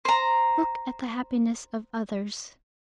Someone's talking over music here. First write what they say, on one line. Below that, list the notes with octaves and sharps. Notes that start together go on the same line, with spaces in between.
"Look at the happiness of others."
C5 A#5